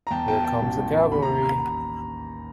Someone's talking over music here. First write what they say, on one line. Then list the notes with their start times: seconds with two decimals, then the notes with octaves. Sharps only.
Here comes the cavalry.
0.07 A#5
0.10 E2 G5 A5
0.28 B2 G5 A5
0.44 B2 G5 A5
0.62 A1
0.78 A1
0.95 E3
1.11 D#2 B5
1.22 A#5